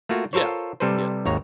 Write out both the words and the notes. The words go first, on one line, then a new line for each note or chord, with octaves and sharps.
Yeah, yeah.
A3 A#3 F4 F#4
F4 A4 A#4 C5 C#5
C3 G3 A4 B4 C5
G#1 D#2 C#5 A#5